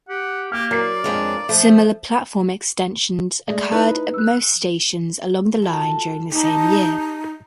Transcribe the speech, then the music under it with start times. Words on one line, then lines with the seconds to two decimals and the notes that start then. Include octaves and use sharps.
Similar platform extensions occurred at most stations along the line during the same year.
0.09 G4 F#5
0.52 A#3 G4 F6
0.71 F#3 A#4 D5 C7
1.04 F2 G#3 D4 C#5
1.49 F3 A3
3.47 G#3 A3 D5
3.72 D#4 E4 B4
4.14 E6 F#6
5.62 F4 F#4 A4
6.31 D#4 G4 A5